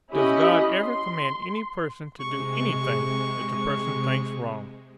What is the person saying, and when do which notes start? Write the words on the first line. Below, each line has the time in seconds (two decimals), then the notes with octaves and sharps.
Does God ever command any person to do anything that the person thinks wrong?
0.13 C#4 E4 G4 D#5 B5
0.70 C6
2.20 C3 G#3 C#6